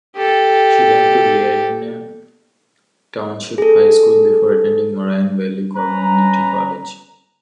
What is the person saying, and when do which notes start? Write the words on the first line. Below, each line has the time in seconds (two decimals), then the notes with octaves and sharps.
He went to Leyden Township High School before attending Moraine Valley Community College.
0.16 G4 A4
3.58 G#4 A4
5.76 C#4 B4 A#5